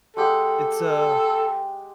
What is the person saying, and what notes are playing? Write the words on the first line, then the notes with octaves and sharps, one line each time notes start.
It's a
G#3 G4 A4 F#5